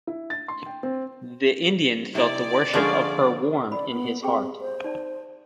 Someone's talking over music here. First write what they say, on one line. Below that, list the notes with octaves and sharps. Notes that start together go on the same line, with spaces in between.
The Indian felt the worship of her warm in his heart.
E4
A6
C6
G5
C4
C3 E4 D5 D#5
D3 F3 G3 G#3 A#3 C#4 G#4
D5 B5
B3
C4 G4 G#4 G5
C5
D#4 D5 A5